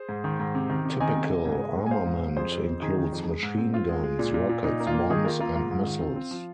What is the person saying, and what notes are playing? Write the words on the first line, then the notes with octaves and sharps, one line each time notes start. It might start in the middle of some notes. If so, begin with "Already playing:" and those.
Typical armament includes machine guns, rockets, bombs and missiles.
Already playing: G#4 C5
G#2
D#3
G#2
C3
D#3
C3
D#3 D#5 G#5
C3
C3
G#2
G#3
G#2
G#5
G#3 C5 F5
G#2
G#2
F2 G#4 C5
F2
F2
D#3 D#4 G#4
D#3
F2
G#3
G#2
C4
C4 F4
G#3
G#3
A#2
A#2
A#2
A#2 D#4
A#3
F4
A#3
D#3 D#4 G#4
A#3 F4 A#4
A#3 F4
G#2 F4
G#2
D#3
C4
C4
F3